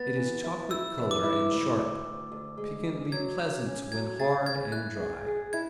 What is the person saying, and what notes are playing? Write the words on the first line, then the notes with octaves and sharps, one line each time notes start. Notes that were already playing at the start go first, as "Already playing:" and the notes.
It is chocolate-color and sharp, piquantly pleasant when hard and dry.
Already playing: B3 A6
E3
E4
E4 E6
E3
D6
E4
D2
D2
D2
D2
G#3
D2
F#3 G#6
F#3
C#4
F#3 G#6
G#4 A6
C#3 G#6
E4 F#6
G#4
G#4
E4 G#6